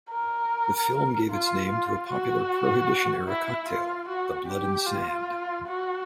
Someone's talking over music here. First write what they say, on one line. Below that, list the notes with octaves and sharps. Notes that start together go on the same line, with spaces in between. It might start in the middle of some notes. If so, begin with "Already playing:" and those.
The film gave its name to a popular Prohibition-era cocktail, the Blood and Sand.
A#4
F4
F4
F#4
E4
F4
F#4
G4
F4
F#4